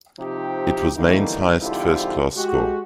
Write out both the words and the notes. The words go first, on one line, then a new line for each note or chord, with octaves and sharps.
It was Mayne's highest first-class score.
C3 F3 D#4 G4
D3 E3 G3 A3 A#3 D#4
F2 G#2 D3 E4 F4 G4
G#3 F#4 G4